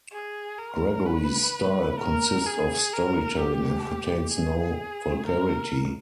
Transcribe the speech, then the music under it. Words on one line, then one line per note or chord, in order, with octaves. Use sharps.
Gregory's style consists of storytelling and contains no vulgarity.
G#4
A#4
B4
A#4
G#4
A#4
G4
G#4
A#4